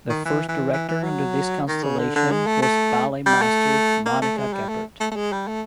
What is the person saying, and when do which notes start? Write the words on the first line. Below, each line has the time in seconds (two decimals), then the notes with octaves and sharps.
The first director under this constellation was ballet master Monika Geppert.
0.10 D#3
0.25 E3
0.48 E3
0.73 E3
0.88 E3
1.04 F#3
1.68 D#3
1.83 C#3
1.99 D3
2.16 D3
2.31 G#3
2.47 A3
2.62 A3
3.26 G3
3.42 A3
4.05 A#3
4.21 A3
4.37 G#3
4.53 G3
4.69 A3
5.00 A3
5.11 A3
5.16 G#3
5.32 G3
5.48 A3